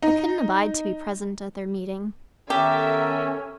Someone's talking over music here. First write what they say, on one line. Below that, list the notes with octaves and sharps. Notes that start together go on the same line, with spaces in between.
I couldn't abide to be present at their meeting.
D#4
D#3 B3 C#4 G4 A4 A#4 E5